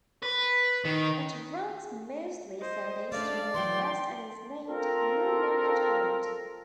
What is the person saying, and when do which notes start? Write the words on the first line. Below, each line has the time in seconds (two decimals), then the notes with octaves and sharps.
It runs mostly southeast to northwest, and is named New Market Road.
0.23 B4
0.85 D#3
2.59 C5 D#5
3.12 A3 C#4 D4 D5 F5
3.54 E3 F#3 G5 C6
4.68 C4 F4 A4 A#4